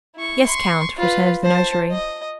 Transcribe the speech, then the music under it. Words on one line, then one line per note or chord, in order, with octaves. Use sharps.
"Yes, count," returned the notary.
E4 C#6
C6 C#6
F4 B4
C5 A5
D#5